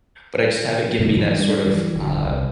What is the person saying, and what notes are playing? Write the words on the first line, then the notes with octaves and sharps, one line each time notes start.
But I just have it give me that sort of, uh,
G2 B2 D3 A3
G#2 E3 F3 G#3
G3 G#3 D4
G2 E3 F#3 G3
D#1 D3
C2